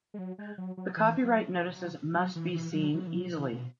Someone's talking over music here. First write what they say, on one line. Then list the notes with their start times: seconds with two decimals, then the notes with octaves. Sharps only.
The copyright notices must be seen easily.
0.14 G#3
0.19 F#3
0.38 G#3
0.58 F#3
0.77 F#3
0.97 E3
1.24 F#3
1.75 F#3
2.16 F#3
2.35 E3
2.54 E3
2.74 F#3
2.94 F#3
3.07 E3
3.14 F#3
3.33 E3
3.53 B2